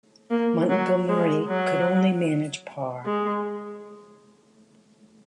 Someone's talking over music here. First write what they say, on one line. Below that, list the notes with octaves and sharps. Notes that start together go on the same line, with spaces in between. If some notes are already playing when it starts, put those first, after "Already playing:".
Montgomerie could only manage par.
A#3
F#3
G#3
F#3
G#3